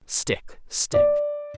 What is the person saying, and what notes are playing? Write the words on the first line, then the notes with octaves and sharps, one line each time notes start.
'Stick, stick!
D5